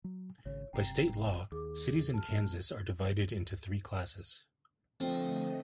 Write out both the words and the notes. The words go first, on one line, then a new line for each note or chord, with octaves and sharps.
By State law, cities in Kansas are divided into three classes.
F#3
G#1 C#3 C#5
F#1 C3 G5 A#5 C7
D#2 G#4 D6
A5 F6
G2 A#2
D3 F3 A3 C4 A4 C5 D#5 G5